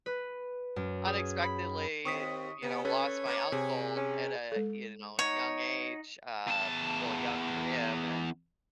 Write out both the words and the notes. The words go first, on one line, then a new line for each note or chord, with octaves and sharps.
unexpectedly w you know, lost my uncle at a, you know, young age, uh, well, young for him and,
B4
F#2
G#4
B5
D#2 C4 C#6 D#6 B6
C3 B3
C#4 A4 B4 C#5
A#3 B3
C3 G#4
C#4
G#3 A4
D#4 C#5 F#5
E2 A5